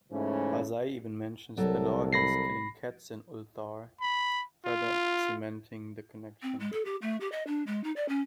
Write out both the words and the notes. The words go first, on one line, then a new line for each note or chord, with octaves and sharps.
Barzai even mentions the law against killing cats in Ulthar, further cementing the connection.
G#2 C#3 E3 A3 C#4
C2 F#3 A4 A#4
B5 A#6 C7
B5
F4
C4
G#3
A4
G4
A3
G4
D#5
D4
G#3
D#4
D5
C#4